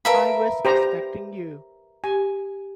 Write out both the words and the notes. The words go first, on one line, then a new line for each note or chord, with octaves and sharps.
I was expecting you.
A#4 B4 E5 F5 A5 B5
G4 C5 A#5
G4 G#5